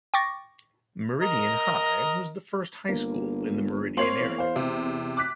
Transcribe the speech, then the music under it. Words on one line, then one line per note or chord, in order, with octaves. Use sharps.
Meridian High was the first high school in the Meridian area.
G5 C#6 D6 A6 A#6
A#4 D#5
G1 A#3
A#3 C4 C#5 C6 C7 F#7
E2
C5 F5
C3 C5
D6 F#6 B6